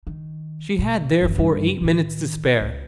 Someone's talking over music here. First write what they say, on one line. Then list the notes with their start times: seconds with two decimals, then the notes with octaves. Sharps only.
She had, therefore, eight minutes to spare.
0.07 D#3
0.79 B2
1.21 F#1 E3
1.36 G2 C#3
1.81 A2 D#3
2.61 C#2